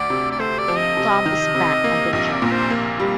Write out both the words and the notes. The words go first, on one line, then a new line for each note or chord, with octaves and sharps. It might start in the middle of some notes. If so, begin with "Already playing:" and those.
Tom is back on the junk.
Already playing: D2 D5
C3
D5
A3 C5
D5
F3
D#5
C3
D#3
C3
A#3
A#1 D#5
D5
A#2 A#4
C5
A#3
G3